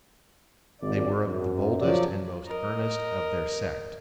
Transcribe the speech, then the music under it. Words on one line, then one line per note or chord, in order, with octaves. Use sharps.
They were of the boldest and most earnest of their sect.
G#1 D5
F#2
F3 F#3 D5
A#4 D#5